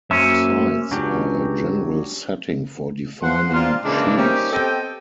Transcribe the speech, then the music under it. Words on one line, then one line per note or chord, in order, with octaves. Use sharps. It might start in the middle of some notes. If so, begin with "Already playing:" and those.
Sites are a general setting for defining sheaves.
F#2 A#3 C#4 C5 E5
C#2 F#3 D4 G4
F3 F#5 C6
A#3 C4 D4 F4
A#2 C#3 E3 G#3 A#3 D4
G3 A#3 C4 C#4 D#4 G4
B3 C4 G4 A4 D#5 G5